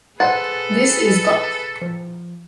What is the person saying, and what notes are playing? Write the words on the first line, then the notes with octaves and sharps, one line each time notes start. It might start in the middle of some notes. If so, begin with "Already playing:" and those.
This Is Goth!
G#4 A4 B4 C5 F#5 A6
F3